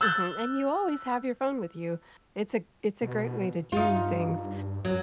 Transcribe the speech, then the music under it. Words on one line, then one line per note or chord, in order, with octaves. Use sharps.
Mhm, and you always have your phone with you. It's a it's a great way to do things.
E6 F#6 G6 A6
B2
G2 D#4 F4
F#2 F#3